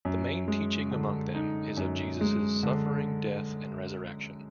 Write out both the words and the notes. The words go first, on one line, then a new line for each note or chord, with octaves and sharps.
The main teaching among them is of Jesus' suffering, death, and resurrection.
F#2
G#3
D3
D#4
F#2
G#3
D3